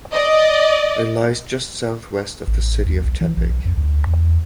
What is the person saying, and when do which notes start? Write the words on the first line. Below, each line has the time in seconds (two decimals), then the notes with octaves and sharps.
It lies just southwest of the city of Tepic.
0.12 D5 D#5
2.47 A1
2.86 D#2
3.04 B1
3.21 E3
3.37 A#1
3.49 B1
3.66 F2
3.77 D2
4.07 E2